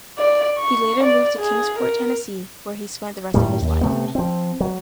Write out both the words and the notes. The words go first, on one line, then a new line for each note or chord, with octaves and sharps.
He later moved to Kingsport, Tennessee, where he spent the rest of his life.
D5
C#6
D5
G#4
A#4
F#2 A2 D#3 G3
D#2
C3 A3 B3
F3 C4
F#3